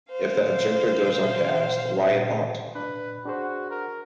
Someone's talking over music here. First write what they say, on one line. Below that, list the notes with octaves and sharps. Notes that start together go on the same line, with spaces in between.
If the objector goes on to ask, why it ought?
C5 F5
D4 B4
D4 F#4 G#4 C5
A#4